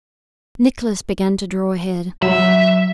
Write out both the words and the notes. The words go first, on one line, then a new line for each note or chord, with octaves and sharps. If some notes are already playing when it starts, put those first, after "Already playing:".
Nicholas began to draw ahead.
F#3 E5